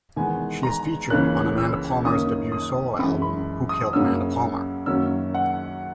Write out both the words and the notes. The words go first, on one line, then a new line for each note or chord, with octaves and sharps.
She is featured on Amanda Palmer's debut solo album, "Who Killed Amanda Palmer".
E2 D#3 G#3 B3 G#5
A#5
C#2 C#3 E3 A#3 C#4 F#6
E6
F#2 D#3 A#3 C#4 D#6
D#6
F#2 E3 G#3 B5
B5
D#6
F#2 C#3 F#3 A#3 C#4 E6
F#2 D#3 F#3 A#3 C#4 E6
F#5